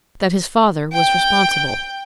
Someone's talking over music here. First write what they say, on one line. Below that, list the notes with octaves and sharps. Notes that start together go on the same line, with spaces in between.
That his father was responsible.
G5